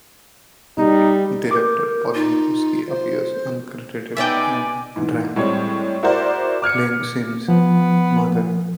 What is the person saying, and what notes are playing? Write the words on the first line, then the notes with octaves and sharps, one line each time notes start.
Director Paul Mazursky appears uncredited in drag, playing Simms' mother.
G3 D#4
A#4 D6 G6
D#4 F4
C5
G#3 B3 D#4 D5 E5 G5 G#5
G#2 E3
A2 G3 G#3 C4 C#5
E4 F#4 G#4 A#4 C5 D5
D6 F6 G#6 C#7
F3 B3